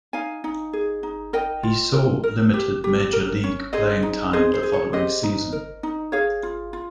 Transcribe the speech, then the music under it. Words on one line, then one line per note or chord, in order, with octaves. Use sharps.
He saw limited major league playing time the following season.
D#4 F5 G#5
D#4
G#4
D#4
A#4 D#5 G5
F4
A#4
A#4
G4
G4
A#4
C#4
G#4 C5 D#5
D#4
G#4 C5 D#5
C5
G#4
C#5
G4 C5 D#5
D#4
A#4
D#4
G#4 C#5 F5
F4
F4